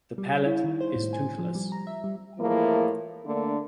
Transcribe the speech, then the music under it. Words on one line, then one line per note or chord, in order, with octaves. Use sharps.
The palate is toothless.
G3
C#5
E4
D#3
C5
A2
G#5
F3
G3
A#5
E5
G3
A2 E3 F3 G#3 A#3
D3 A3 A#3 D4